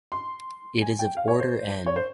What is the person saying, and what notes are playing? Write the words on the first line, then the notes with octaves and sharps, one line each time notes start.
It is of order "n".
C6
G#5
G5
F5
C#5
C5
C#5
C5